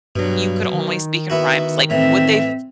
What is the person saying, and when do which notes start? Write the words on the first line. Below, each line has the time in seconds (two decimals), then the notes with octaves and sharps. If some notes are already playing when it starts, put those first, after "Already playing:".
you could only speak in rhymes, like, would they f
0.16 G2 B2 F#3
0.73 D#3
1.30 B3 E4 F#4
1.90 A2 E3 C4 E5